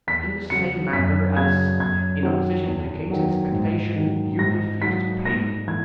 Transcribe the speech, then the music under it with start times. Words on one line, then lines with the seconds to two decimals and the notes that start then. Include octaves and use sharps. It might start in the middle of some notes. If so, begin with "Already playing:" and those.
"In the same manner, as, in opposition to the king's expectation, you refused to pay me."
0.07 E2 B6
0.50 C#3 F#3 C#7
0.93 F#2 B6
1.37 C#3 F#3 G#6
1.79 F#2 G#6
2.22 D#3 F#3
2.66 E2
3.10 D#3 F#3
3.52 G#2
3.96 D#3 F#3
4.39 G#2 A#6
4.82 F#3 B6
5.25 G#2 A#6
5.68 E3 G#6